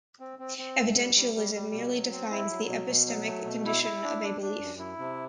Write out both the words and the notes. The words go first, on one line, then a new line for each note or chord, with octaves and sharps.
Evidentialism merely defines the epistemic condition of a belief.
C4
C4
C4
A3
G3
G3
G3
G3
B2
F#3
C4
E4
F#3
B2
B2
F#3
A3
B2
E4
E4
D4
D4
D4
F#2
E4
C3